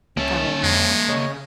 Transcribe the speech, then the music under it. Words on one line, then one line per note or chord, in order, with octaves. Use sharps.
Oh, I know,
C#2 A#3 C#4 E5 A5
F2 G#3
C#3 C#5 D#5